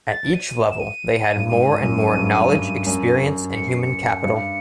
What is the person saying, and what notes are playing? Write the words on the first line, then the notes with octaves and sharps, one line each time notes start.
At each level they had more and more knowledge experience and human capital.
A6
D#7
E7
D#7
G2
G#2 D#7
F#2
F#2
G2
G2
F#2 D#7
C#7
C7
C#7
G2